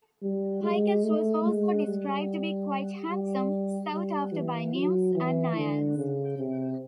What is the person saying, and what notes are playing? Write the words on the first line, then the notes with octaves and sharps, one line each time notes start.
Picus was also described to be quite handsome, sought after by nymphs and naiads.
G3
G#3
A3
G#3
G3
G3
G3
E3
F#3
E3
D3
C#3
C3